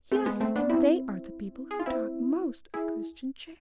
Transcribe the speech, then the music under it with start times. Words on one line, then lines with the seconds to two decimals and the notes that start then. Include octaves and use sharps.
"Yes; and they are the people who talk most of Christian charity!"
0.12 A3 C4
0.26 G#3 B3
0.40 A3 C4
0.56 B3 D4
0.70 C4 E4
1.71 G#4
1.79 F4
1.86 C4 E4
2.74 E4 G#4